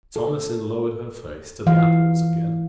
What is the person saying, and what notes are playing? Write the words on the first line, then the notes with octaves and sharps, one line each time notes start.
Thomasin lowered her face to the apples again.
A4
E3 F5